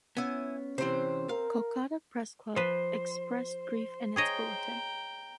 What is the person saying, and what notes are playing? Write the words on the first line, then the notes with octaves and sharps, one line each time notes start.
Kolkata Press Club expressed grief in its bulletin.
B3 C#4 E4 G#5
C3 E3 C4 C5
A#4 F5
F3 B4 C5
G#4 C#5 D#5 G5 A#5